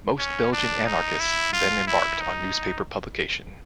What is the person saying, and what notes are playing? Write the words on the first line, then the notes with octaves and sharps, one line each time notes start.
Most Belgian anarchists then embarked on newspaper publication.
C#4
D4
D#4
E4
F4
E4
D#4